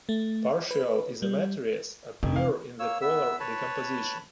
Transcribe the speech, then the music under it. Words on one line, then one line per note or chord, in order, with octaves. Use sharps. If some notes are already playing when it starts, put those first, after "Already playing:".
Partial isometries appear in the polar decomposition.
A3
B4
G3
F1 C3
F5
A#3 C#5 E6
B3 E5 E6
B4 C#5 A5 B5